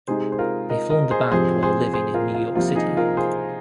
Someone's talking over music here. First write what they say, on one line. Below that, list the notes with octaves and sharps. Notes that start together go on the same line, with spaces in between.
They formed the band while living in New York City.
C3 G#3 D#4 G#4 C5
C5
F4 A#4
A#4 D#5
A#4 D#5
G#4 C5
F2 C3 F3 C4 G#4 C5
G#4 C5
G#4 C5
F4 A#4
F4
C2 C3 F3 A#3 F4
D#4 G#4
F4 A#4
G#4 C5